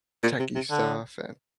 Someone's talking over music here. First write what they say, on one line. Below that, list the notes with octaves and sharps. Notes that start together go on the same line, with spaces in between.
techy stuff and
A#2
C3
C3
D3